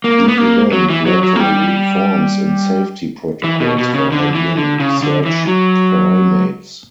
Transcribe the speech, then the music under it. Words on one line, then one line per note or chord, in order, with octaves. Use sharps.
The event led to reforms in safety protocols for handling research primates.
A#3
B3
A#3
F#3
E3
F#3
F#3
A#3
G3
E3
B2
B2
C#3
D3
E3
D3
C#3
D3
E3
F#3